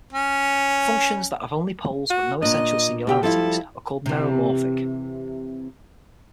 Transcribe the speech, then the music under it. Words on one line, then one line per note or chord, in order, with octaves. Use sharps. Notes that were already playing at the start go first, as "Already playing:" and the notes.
Functions that have only poles but no essential singularities are called meromorphic.
C#4
F#4
A#2 D4 D#5
B2 G4 G5
F3 G3 E4 A4
C3 E3